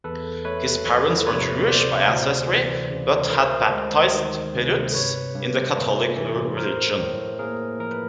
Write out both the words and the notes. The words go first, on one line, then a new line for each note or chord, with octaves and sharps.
His parents were Jewish by ancestry, but had baptised Perutz in the Catholic religion.
E2 A4 B4
A3 B4 C#5
F3 B4 C#5
C3 B4 C#5
D2 C5 D5
D2
E3
C#3
B4
D2 A#4 C5
G#3
D#3
C3
G2 B4 C#5
G2
A3
E3
A2 A#4 C5
A2
A#3 G#4 A#4
F3 A#4
B4